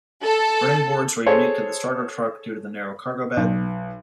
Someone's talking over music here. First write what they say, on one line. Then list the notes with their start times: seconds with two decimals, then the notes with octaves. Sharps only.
Running boards were unique to the starter truck due to the narrow cargo bed.
0.23 A4
1.27 G#4 A4 C5 C#5
3.37 B1